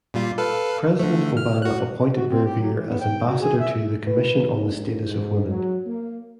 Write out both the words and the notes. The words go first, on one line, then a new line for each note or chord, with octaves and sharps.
President Obama appointed Verveer as Ambassador to the Commission on the Status of Women.
A#2 G3 F4
A4 B4 F5
D3 A3
F6
F#4 F#6
F#4
C4
G4
F#3
E3
B3
G5
F#4
G#4
E5
B4
A#1
G#2
F#3
A#3